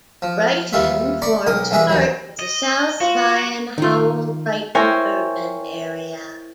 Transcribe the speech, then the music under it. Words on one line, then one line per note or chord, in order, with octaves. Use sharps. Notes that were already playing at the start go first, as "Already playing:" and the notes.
Brighton forms part of the South Lyon-Howell-Brighton Urban Area.
F3
D#2 G3 F4 E5
D5 A#5 B5 C#6
B1 A#4 D#6
C2 E3 G#3 G#4 E5
D#2 E3 F#3
D#5
F4 F#4
D#3 F4
E4 A#4 C5 C#5 G5 G#5